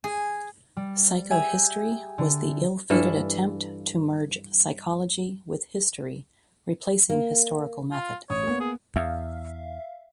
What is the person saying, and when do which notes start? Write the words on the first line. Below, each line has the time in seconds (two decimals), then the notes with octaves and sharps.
Psychohistory was the ill-fated attempt to merge psychology with history, replacing historical method.
0.04 G#4
0.77 G3
1.31 G4 G#4 E5 G#5
2.18 D3
2.90 G2 E3 A4 F5
7.10 A#3
7.92 F4
8.30 A1 C#5 D#6
8.43 A#3 B3
8.60 G#4
8.96 E2 E5 F5